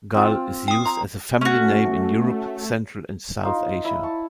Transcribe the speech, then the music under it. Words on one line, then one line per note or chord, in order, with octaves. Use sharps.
Gul is used as a family name in Europe, Central and South Asia.
C4 F4
G5 D#6
A#5 C6
A3 C#4 F#4
D#4 F4 A#4
E4 B5 D#6
A5 C#6